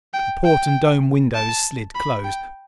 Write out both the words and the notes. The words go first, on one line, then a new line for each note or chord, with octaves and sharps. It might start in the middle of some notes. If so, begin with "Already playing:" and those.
The port and dome windows slid closed.
G5
G5
A5
B5
G5